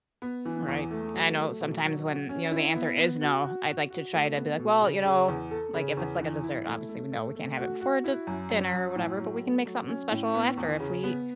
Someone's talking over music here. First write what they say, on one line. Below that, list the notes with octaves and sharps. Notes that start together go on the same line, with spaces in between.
Right, I know sometimes when, you know, the answer is "no", I'd like to try to be like, "Well, you know" like, if it's like a dessert, obviously, "We no we can't have it before the dinner or whatever, but we can make something special after if we"
B3
E3
E2
A3
F#3
A3
B2
F#3
F#4
C#4
E4
B3
B3
F#4
F#4
F#4
F#4
A3
B3
B2
C#3
C#3
E2
A4
C#3
E2
E3
E4
A3
A3
A3
A3
F#4
F#4
E4
F#2
F#2
F#2
A2
F#3
A3
F#3
C#4
A2
B3
E2
C#3
B3